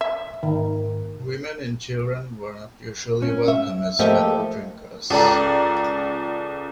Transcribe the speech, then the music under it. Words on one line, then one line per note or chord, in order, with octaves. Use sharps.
Women and children were not usually welcome as fellow drinkers.
E5
G#2 D#3
C#4
E5
F3 A3 A#3 G4 D#5 E5
C#2 A4 D5 A#5